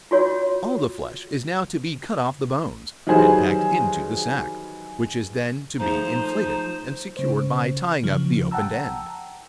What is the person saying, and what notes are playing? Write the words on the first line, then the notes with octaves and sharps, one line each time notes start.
All the flesh is now to be cut off the bones, and packed into the sack; which is then to be inflated, and secured by tying up the open end.
F4 F#4 C#5
D#3 E3 F#3 G3 G#4 C5
F3 G#3 A3 D#4 C5 A#5
C#3 C5
C#3 F3
F#5 G5 A5 A#5 E6